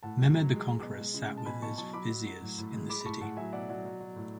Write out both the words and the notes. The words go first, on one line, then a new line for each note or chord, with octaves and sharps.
Mehmed the Conqueror sat with his viziers in the city.
A2 F#5 A5
F#3
F#3
G#3
G#3
B2
G#3
C#3
G#3
A5
B2 G#5 B5
B2 A5 C#6
F#3 A5 C#6
F#3 B5 D6
F#3
F#3
A2
A2
G#3
G#3 B5 D6
B5
A2 A5 C#6
A2 F#5 A5
F#3 E5 G#5
B2 D5 F#5
F#3 D5 F#5
F#3
F#3
A2